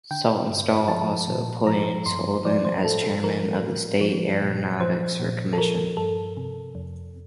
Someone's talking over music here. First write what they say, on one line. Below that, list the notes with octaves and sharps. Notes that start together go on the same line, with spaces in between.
Saltonstall also appointed Sullivan as chairman of the state aeronautics commission.
D3 G5
G2
F3 A5
A#2
F3 A#5
G2 C6
F3 D5
C5
A2 A4
A4
F3 A#4
A2
F3
A#2
F3 C5
A#2
A4
F3 A#4
G2 A4
C3
F2